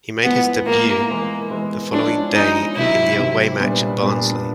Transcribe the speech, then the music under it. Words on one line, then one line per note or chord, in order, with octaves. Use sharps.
He made his debut the following day in the away match at Barnsley.
A2 F3 G#3 B3
A2 F3 G#3 A#3
E3 G#3 B3 E4
E3 G#3 B3 E4
F3 G#3 C#4 D4 E4
F3 G#3 C#4 D#4 E4
C3 D#3 F#3 E4
C3 D#3 F#3
A#2 G3 B3 D4
A#2 G3 B3 D4